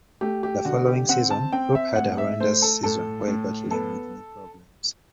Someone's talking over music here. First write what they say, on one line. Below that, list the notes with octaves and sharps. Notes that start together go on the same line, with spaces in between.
The following season, Rupe had a horrendous season while battling with knee problems.
A3 G4
G4
D3 F#4
G4
C4 F#5
A5
C4 G5
E5
A2 F#5
E5
A3 C5
A4
A2 A4
A2
B3 A4